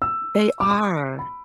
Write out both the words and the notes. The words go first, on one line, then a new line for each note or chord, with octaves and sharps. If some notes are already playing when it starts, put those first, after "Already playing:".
They are.
E6
D6
D6
B5